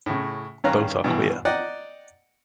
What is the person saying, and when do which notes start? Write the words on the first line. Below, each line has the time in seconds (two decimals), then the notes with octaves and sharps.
Both are queer.
0.06 A2 C#3
0.64 G2 D#3 C#4 F5 A#5 F#6
1.04 G2 B2 E3
1.45 D5 D#5 F#5 G5 A#5